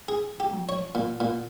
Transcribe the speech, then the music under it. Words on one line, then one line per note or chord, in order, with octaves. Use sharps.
Oh, man.
G#4
G4
C#5
A#2
A#2